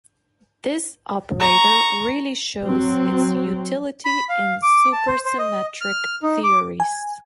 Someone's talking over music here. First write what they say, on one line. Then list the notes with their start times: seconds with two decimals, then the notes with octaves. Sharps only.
This operator really shows its utility in supersymmetric theories.
1.39 A#5 C#6
2.63 F#3 C4
4.05 B5
4.29 F5
4.63 D6
4.92 A5
5.07 C5
5.25 C5
5.39 D#5
5.81 F6
6.23 D#4
6.43 D6
6.80 G#5